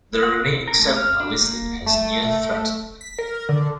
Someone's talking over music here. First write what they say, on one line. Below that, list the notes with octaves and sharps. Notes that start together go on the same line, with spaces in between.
The remaining seven are listed as Near Threatened.
F#5
C4
A#4
A3
F6
D4
A#3
A3
B6
A#4
D3